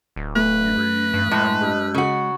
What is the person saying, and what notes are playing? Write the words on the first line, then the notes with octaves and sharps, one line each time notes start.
you remember,
D1
A3 B4
G2
A2 G#3
C#3 F#4